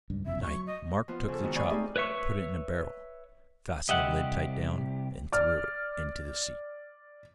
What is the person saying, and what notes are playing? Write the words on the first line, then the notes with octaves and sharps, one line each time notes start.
At night Mark took the child, put it in a barrel, fastened the lid tight down, and threw it into the sea.
C#2 G2
F#1 C2 F2 E5
F#3 C#6
D#5
F3 B3 F4
C#3 A4
D#3 G#3 B3 F#4 A4
D5 F5 G#5 B5 C#6
A3 C4 D#4 G4 G#4
B4 C#5 E5 C#6
C2 G4 D#5 E5 F#5
D5 F6